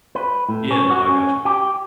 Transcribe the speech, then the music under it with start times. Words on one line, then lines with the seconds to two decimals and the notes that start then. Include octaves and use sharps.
Yeah, no, I gotcha.
0.15 B4
0.49 A2
0.71 C#4
0.91 F#4
1.09 C#4
1.45 G4